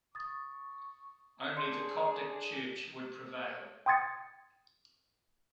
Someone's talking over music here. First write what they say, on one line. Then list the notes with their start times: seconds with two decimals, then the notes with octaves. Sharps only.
Only the Coptic Church would prevail.
0.15 C#6 D#6 A6
1.57 D4 G#4 C6 G6 C#7
3.86 G5 C6 D#6 G#6 A6 C#7